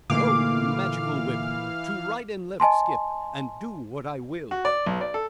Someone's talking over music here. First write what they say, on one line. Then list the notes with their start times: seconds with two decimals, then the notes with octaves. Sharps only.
"Ho! Magical Whip! To right and left skip! And do what I will!"
0.10 A#2 D3 E3 A3 A#3 D#4 F5 D6
2.60 D#5 G#5 A5 C6
4.51 F#4
4.65 D5
4.86 B1
5.01 D5
5.14 A4